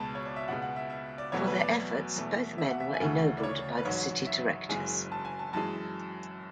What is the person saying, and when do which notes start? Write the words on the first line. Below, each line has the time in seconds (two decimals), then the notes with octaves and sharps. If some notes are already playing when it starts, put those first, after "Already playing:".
For their efforts, both men were ennobled by the city directors.
Already playing: C#2 B2 G#3 A5 B5
0.15 C#5
0.25 D5
0.36 E5
0.48 C#2 B2 G#3 F#5
0.62 F#5
0.76 E5
0.90 E5
1.18 D5
1.32 E2 B2 F#3 A3 C#5
1.47 B4
1.60 D5
2.16 E2 B2 A3
2.58 E5
2.70 F#5
2.80 E5
2.94 G#5
3.01 D2 C#3 E3 A3 F#5
3.38 D5
3.43 C#5
3.77 B4
3.85 A1 G#2 F#3 C#5
4.26 E5
4.69 F#1 F#2 E3 G#3 G#5
5.12 A5
5.25 G#5
5.39 A5
5.53 F#2 E3 G#3 A5